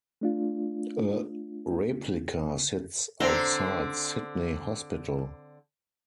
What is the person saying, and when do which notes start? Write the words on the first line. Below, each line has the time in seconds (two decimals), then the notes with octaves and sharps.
A replica sits outside Sydney Hospital.
0.21 A3 D4 F4
3.20 D3 C4 C5 A#5